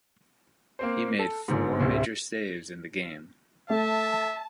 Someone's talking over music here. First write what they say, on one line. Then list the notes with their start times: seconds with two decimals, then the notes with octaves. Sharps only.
He made four major saves in the game.
0.79 A#3 C4 C5
1.19 A4
1.48 G1 G#2
1.80 D1 D2 C3 E4
3.70 A3 E5 A5